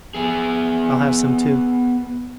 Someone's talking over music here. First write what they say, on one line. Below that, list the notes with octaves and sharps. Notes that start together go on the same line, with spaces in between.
I'll have some too!
B3 G#4